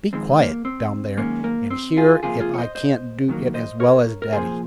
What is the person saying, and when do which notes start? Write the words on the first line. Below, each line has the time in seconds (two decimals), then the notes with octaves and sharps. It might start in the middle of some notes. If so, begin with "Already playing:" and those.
Be quiet, down there, and hear if I can't do it as well as daddy.'
0.13 F2 D#3 G#3 C4
0.39 A#3
0.65 C4
1.18 F#2 D#3 G#3 A#3 C#4
1.44 A#3
1.70 C4
1.97 F4 G#4
2.22 C#2 C3 F3 A#3 F4 G#4
2.40 F4 G#4
2.54 C#5
2.58 C5 D#5
2.75 C5 D#5
3.28 F2 D#3 F#3 A#3
3.54 C5 D#5
3.80 A#4 C#5
4.22 A#4
4.32 C2 A#2 F3 G#4 C5